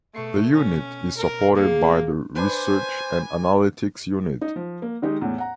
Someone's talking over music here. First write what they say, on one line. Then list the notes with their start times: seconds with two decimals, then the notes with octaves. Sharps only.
The Unit is supported by the Research and Analytics Unit.
0.14 B2 A3 C#6 C7
0.54 C#4
1.17 A#4
1.55 D#1 A#3 G#4 C#7
2.35 D4 B4 C5 G#5
4.41 D#4
4.56 F3
4.82 A#3
5.02 D#3 G#3 D#4 G4
5.21 E2 A2
5.38 F#5 A#5